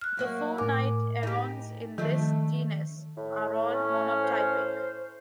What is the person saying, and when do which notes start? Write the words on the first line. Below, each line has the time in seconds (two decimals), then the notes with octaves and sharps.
The four night herons in this genus are all monotypic.
0.01 F6 F#6
0.17 F#2 A#3 F#4
0.58 A2 A#4 G#5 D6
1.23 D#4 G4
1.98 D#3 F3 A3 D4
3.17 A2
3.74 C#4
4.20 C5